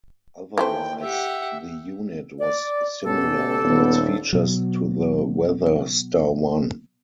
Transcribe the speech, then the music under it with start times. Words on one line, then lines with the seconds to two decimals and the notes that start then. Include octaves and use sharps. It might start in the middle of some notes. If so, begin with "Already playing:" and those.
Otherwise, the unit was similar in its features to the Weather Star One.
0.58 E3 A3 C5 G5
1.02 G4 E5 F#5
2.40 D5
3.04 B2 B3 C#4 G4 A4
3.63 D#1 B3
4.33 B2 F#3